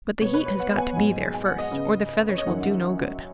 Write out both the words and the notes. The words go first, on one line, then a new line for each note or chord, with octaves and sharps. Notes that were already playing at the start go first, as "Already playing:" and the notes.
But the heat has got to be there first, or the feathers will do no good.
B2 B3 C#5
B4
C#5
F#5
G#5
G#2 F#3 B3
G#5
F#5
D#5
C#3 B3
C#5
D#5
F#2 D#3 F#3 C#4 F#5